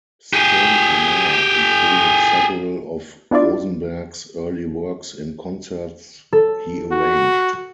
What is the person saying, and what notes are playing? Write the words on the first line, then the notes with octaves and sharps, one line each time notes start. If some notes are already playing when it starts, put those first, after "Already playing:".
Stenhammar included several of Rosenberg's early works in concerts he arranged.
G4 G#4
B3 D4 E4 F4 D5
A4
F#4